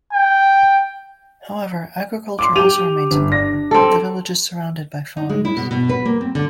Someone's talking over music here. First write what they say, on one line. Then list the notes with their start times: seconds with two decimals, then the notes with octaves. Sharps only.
However, agriculture also remains important, with the villages surrounded by farms.
0.13 G5
2.39 C6 D6
2.56 G4 D#7 F7
3.11 G1
3.30 D4 A#6
3.71 C4 A4
5.17 D#4
5.29 G#3
5.45 E4
5.57 B2
5.71 B2
5.89 B4
6.05 A#3
6.21 C4
6.35 D3